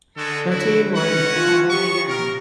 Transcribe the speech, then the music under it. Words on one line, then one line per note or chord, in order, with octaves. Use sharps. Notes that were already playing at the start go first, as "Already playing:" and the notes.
The team won the title again.
D3 G#3 F#4 A4
E4 F#4
C#4 F#4 B4 F#5
F4
B3 G4 C#6
A#4